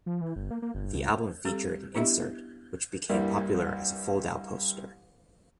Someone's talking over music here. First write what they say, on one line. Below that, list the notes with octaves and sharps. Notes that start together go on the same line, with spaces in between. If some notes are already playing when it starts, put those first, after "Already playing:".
The album featured an insert which became popular as a fold-out poster.
F3
E3
G1
A#3
A#3
G1
C#2
G3 C4 G4 A4
B3 D4 E4 G4 D#5 E5
C2 G2 G3 A#3 E4